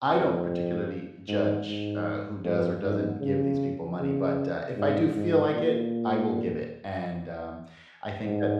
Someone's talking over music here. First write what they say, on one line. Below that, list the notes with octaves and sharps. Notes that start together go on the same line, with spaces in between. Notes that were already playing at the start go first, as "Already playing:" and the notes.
I don't particularly judge, uh, who does or doesn't give these people money, but, uh, if I do feel like it, I will give it, and, um, I think that
F2
G#2
G#2
F2
G#2
C#3
C#3
G#2
G#2
A#2
G#2